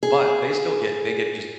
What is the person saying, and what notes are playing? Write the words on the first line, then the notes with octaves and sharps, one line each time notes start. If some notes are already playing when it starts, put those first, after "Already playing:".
but, they still get they get, just
G#4